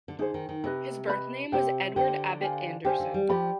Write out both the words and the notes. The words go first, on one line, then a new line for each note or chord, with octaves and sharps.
His birth name was Edward Abbot-Anderson.
D3
D3 D#4 G#4 C5
D#3
D#3
C3 B4 D#5 B5
B4 D#5 B5
C3 G4 C5 G5
D3 G4 C5 G5
G4 C5 F5 G#5
D3 G4 C5 F5 G#5
D3
G3
F3 G4 D5 G5 B5